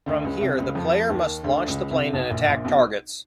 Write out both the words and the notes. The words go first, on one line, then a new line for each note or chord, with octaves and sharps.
From here the player must launch the plane and attack targets.
D2 D3
C#2 C#3
C2 C3
C#2 C#3
F2 F3
D#2 D#3
D2 D3
C#2 C#3
C2 C3
B1 B2
A#1 A#2
A#1 A#2
B1 B2